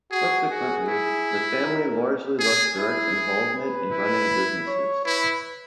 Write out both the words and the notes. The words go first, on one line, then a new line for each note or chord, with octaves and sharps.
Subsequently, the family largely left direct involvement in running businesses.
F#4 G#4
F#4 G#4
E4
A#4
G#4
E4 G#4
B4
E4
C#5
E4 B4